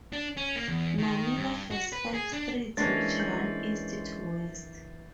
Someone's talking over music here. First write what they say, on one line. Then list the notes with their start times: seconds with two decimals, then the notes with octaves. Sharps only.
Manila has five streets which run east to west.
0.13 D4
0.37 C#4
0.56 A#3
0.68 E2
0.98 D#3
1.37 G2
1.71 F#4
1.92 B4
2.14 G#4
2.33 D4
2.77 E3 G#3 A#3 C#4 D4 A6 A#6 C7
3.17 G6 C#7 F#7